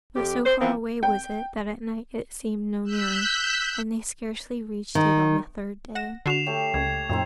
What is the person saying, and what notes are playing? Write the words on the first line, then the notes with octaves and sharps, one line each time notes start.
But so far away was it that at night it seemed no nearer, and they scarcely reached it on the third day.
F2 G4
C5
E3 F3 A#3 C4
G5
E6 F#6 G6 B6
D#3
F#5 A#6 E7
D3 F#4 C7 E7 F7
A3 G4 C#5
C#2 G#6
F#2 A#2 C4 D#4 G4